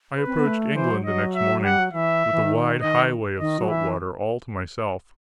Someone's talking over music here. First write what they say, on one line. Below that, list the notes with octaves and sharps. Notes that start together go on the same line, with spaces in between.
I approached England the next morning, with the wide highway of salt water all to myself.
B4
C4
B3
A3
E3 C5
F#3
F#3 D#5
E5
G3 F#5
F#3
E3 E5
E3
D#3
D#3 D#5
D#3 D#5
F#3
E3 E5